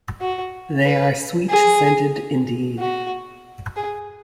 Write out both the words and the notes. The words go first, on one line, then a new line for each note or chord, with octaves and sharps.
They are sweet scented indeed.
F#4
B4
G#4
F#4
G#4